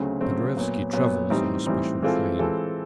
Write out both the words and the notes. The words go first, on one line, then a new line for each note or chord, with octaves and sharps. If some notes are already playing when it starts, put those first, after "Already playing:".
Paderewski travels on a special train.
Already playing: D2 C#3 F#3 A3 C4
D2 C#3 F#3 A3 C4
A#2 F#3 B3
A#2 F#3 B3
A2 E3 G3 C4 D#4
A2 E3 G3 C4 D#4
E3 G#3 C4 F4 A4
E3 G#3 C4 F4 A4